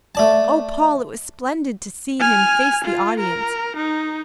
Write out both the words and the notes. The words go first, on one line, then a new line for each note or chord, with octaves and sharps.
Oh, Paul, it was splendid to see him face the audience.
A3 D5 A5
G#5 F6
F4
A#4
D#4